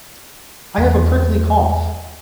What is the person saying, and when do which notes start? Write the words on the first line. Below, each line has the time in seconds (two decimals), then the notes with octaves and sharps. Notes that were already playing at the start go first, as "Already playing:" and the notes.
I have a prickly cough.
0.78 E2